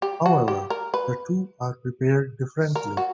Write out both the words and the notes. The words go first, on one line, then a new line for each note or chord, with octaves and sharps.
However, the two are prepared differently.
G4
F#4
G4
A#4
B4
A#4
F#4